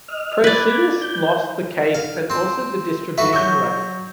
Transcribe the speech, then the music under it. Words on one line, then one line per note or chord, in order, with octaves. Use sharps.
Procidis lost the case and also the distribution rights.
D#5 F6
B4 D5 G#6
G6
F5
C4 C6
F#4 A4 B4 E5
F#3 C#6 G6